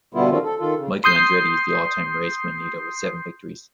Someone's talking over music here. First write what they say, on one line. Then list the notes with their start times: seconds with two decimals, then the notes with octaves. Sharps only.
Michael Andretti is the all-time race win leader with seven victories.
0.15 B2 D3 G3 B3 E4 F4
0.30 D#3 F3 G3 C4 C#4 F4
0.44 A4
0.60 D#3 F4 A4
0.76 C#3
1.04 C6 D#6 G6 C7